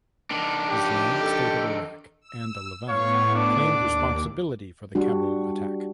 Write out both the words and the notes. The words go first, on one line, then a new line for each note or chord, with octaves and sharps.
Islamic State of Iraq and the Levant claimed responsibility for the Kabul attack.
D#3 D4
G4
A4
E6
A2 B3 C#5 F5 C#6
D4 D6
D#2
G3 D4 F#4